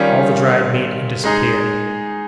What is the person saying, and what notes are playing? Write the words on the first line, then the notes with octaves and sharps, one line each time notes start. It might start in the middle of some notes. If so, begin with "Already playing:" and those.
All the dried meat had disappeared.
Already playing: D#3 G3 C#4 F4
G#3 D#4 G#4